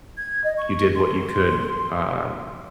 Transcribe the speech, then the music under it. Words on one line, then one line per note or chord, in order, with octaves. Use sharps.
you did what you could, um,
G#6
D#5
C#6
C6